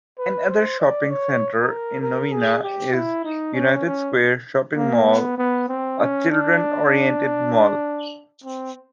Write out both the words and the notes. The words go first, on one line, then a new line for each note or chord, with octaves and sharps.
Another shopping centre in Novena is United Square Shopping Mall, a children-oriented mall.
B4
C5
D5
C#5
A#4
A#4
G#4
G4
E4
D#4
C#4
C#4
A#3
B3
B3
C4
C#4
D4
C4